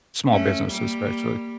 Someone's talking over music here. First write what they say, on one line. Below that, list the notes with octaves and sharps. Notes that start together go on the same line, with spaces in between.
small businesses, especially.
A3 C#4
G3 A#3